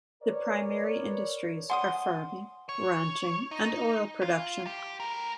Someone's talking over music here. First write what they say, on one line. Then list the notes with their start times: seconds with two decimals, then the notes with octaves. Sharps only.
The primary industries are farming, ranching and oil production.
0.23 A#4 B4 C#5 D5
1.70 D5 F#5 G#5 C6 D6 D#6
2.69 C#5
3.51 D#4
4.23 F4
4.66 G4
5.00 A3 A#4